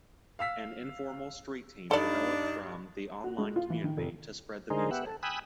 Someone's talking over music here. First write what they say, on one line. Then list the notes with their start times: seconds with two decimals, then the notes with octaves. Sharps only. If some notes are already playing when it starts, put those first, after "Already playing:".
An informal 'street team' developed from the on-line community to spread the music.
0.39 F5 E6 B6
1.91 G2 D4 D#4 A4 D5
3.24 F#4
3.38 G#3
3.56 F4
3.70 E3
3.84 D#3
3.97 F1
4.70 D3 G#3 D#4 G#4 A#4 C5
4.91 B3 G4 E5 F#5
5.07 A4
5.23 G5 G#5 B5 D#6 E6 F#6